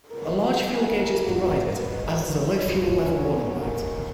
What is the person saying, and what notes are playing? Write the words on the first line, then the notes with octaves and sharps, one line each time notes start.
A large fuel gauge is provided as is a low fuel level warning light.
C#2 B2 G#3 B3 A#4
G#4
C#2 C#3 F#3 C#4 E4 F#4
A#4
G#2 D#3 F#3 A#3 C#4 F#4
G#4
G#2 D#3 F#3 B4
B4
G#2 E3 G#3 D#4 C#5
C#3 F#3 C#4
D#2 D#3 A#3 C#4